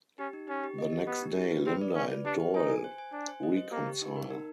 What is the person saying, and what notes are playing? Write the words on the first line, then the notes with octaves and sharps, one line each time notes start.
The next day, Linda and Doyle reconcile.
C#4 G4
D#4
C#4 G4
G4
D#5
G4
B3 G4
D#4
G4
B4
C4 B4
D5
C#4 D5
B4
D4 G4
B4
D#4 G#5
G#5
C5
G#5
D4 G#5
C5
D#5
C5
A#3 G4
G4
D#4
A#4
D#4